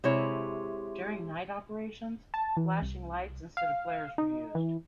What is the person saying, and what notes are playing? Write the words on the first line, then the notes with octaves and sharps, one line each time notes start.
During nightoperations flashing lights instead of flares were used.
C3 G#3 E4 C#5
A5
E3
C2
F5
D#4
E3